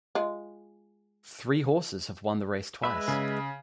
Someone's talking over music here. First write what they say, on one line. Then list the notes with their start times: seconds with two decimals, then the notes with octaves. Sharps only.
Three horses have won the race twice.
0.15 G#3 F4
2.83 G#3 B4 E5 B5
3.08 C#3